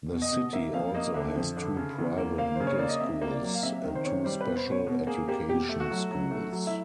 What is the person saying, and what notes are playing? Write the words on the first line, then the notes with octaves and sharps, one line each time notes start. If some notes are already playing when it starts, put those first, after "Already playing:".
The city also has two private middle schools and two special education schools.
B2
D#5
B2
A#3 E5
F2 F5
A#3 D#5
D3 E5
F2
D3
C#3
E2
A#3
A#3 F5
C#3 C5
C#5
A#3 D5
D#5
C3 E5
A#3
D5
F#3
F5
C3 E5
D#3
C5
C3 C#5
G3 C5
B2 B4
C5
B2 C#5
B2
A#3 G#4
A#3 G4
B2 G4
A3
F#4
F#3
F#3
A3
F#3
E4